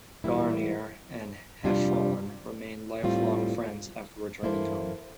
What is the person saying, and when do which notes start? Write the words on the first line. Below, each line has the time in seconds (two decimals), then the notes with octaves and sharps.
Guarnere and Heffron remained lifelong friends after returning home.
0.24 A2 E3 G3 A#3 E4
1.63 F2 C3 G3 D4 F4
3.03 A2 G3 C4 F4
4.43 E3 A#3 E4 A4 C5